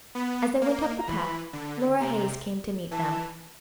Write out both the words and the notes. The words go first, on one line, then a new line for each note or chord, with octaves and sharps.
As they went up the path Flora Hayes came to meet them.
B3 B5
A#3
A#5
E3 B5
D3
C3 A#5
E3 A5